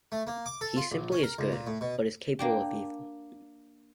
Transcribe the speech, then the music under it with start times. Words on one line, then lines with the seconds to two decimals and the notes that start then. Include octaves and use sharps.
He simply is good, but is capable of evil.
0.12 A3
0.27 A#3
0.46 D6
0.61 A4
0.77 F4
0.91 A#1
1.12 C#4
1.23 A#4
1.38 C#2
1.52 A#2
1.67 A2
1.81 B2
2.39 A#3 D4 G4